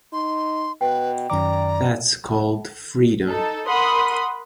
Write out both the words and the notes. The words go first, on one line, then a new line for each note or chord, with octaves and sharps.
That's called freedom.
D#4 C6
B2 B4 G5
F#2 D#3 D5 A#5 D6
D#4 A4
A#4 F#5 B5 C6 D#6